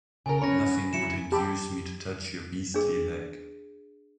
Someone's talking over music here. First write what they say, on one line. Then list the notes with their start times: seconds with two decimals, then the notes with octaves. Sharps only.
Nothing would induce me to touch your beastly leg.
0.26 C#3 A4 A#4 G#5
0.42 B3 C#4 C#5 B5 A#6
0.93 E3 F#3 E4 C#7 D7 E7
1.32 G4 A5 B5 D6 E6
2.74 D4 G#4